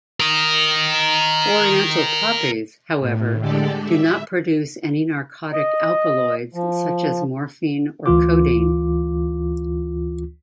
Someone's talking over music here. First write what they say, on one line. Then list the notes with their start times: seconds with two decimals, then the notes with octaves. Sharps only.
Oriental poppies, however, do not produce any narcotic alkaloids such as morphine or codeine.
0.20 A#4 D#5
3.00 A2
3.40 D3 G#3 G4 A4 D5
3.83 E5
5.53 D#5
6.54 F3
8.06 D2 E3 F4 D6